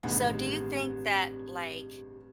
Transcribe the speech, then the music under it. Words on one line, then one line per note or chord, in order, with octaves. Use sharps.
So, do you think that, like,
A1 G2 C3 D#3 G#3 B3